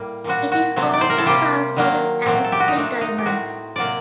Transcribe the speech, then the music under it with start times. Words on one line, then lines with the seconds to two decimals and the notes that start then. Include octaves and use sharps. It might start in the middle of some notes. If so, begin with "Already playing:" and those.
It is also translated as "three diamonds".
Already playing: A2 G3 A#3
0.24 A#2 G3 C4 F#4
0.52 F#4
0.76 C3 F#3 A3 C4
0.93 D5
1.01 C5
1.10 A#4
1.18 A4
1.26 C3 G3 A#3 G4
1.76 D#3 F#3 A#3
2.26 A#2 F#3 A3 C4
2.44 A4
2.52 G4
2.60 F#4
2.68 D#4
2.76 A#2 F#3 A3 D4
3.01 D#4
3.18 G4
3.26 A2 A3 C4 F#4
3.76 C3 F#3 A#3 D5